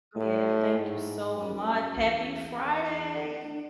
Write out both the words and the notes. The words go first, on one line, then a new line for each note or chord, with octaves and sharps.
Yeah, thank you so much. Happy Friday!
A2
G#2
F#2
E2
E2